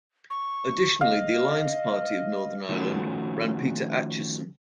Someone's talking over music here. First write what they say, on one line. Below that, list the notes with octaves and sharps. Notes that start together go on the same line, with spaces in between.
Additionally the Alliance Party of Northern Ireland ran Peter Acheson.
C#6
D#5 F5
D#3 F3 A3 C#4 F#4